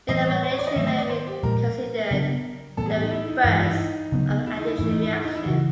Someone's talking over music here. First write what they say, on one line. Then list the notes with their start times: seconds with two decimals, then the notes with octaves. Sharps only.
Elimination may be considered the reverse of an addition reaction.
0.09 A2 E3 G3 B3 D#5
0.26 C#5
0.43 C5
0.51 C#5
0.59 D5
0.67 D#5
0.75 G#2 D#3 F#3 A3 E5
0.87 D#5
0.98 D5
1.09 C5
1.27 G4
1.43 A#2 F3 G#3 A#4
2.11 C#3 F#3 B3 D4
2.77 A2 E3 G3 B3 A4
2.86 G#4
2.94 G4
3.02 D#4
3.11 E4
3.28 D#4
3.44 G2 E3 G#3 E4
3.54 F4
3.61 E4
3.70 D#4
4.12 C#3 F#3 B3
4.46 E4
4.56 D#4
4.67 E4
4.79 G#2 E3 A3 E4
4.90 D#4
5.01 E4
5.13 E4
5.24 D#4
5.35 E4
5.46 C#3 E3 F#4